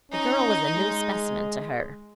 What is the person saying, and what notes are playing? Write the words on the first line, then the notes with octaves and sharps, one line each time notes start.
The girl was a new specimen to her.
C#4 D#4
G#3